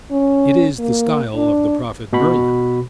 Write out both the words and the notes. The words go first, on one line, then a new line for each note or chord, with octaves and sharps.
It is the style of the prophet Merlin.
C#4
A#3
D4
B2 F#4 B5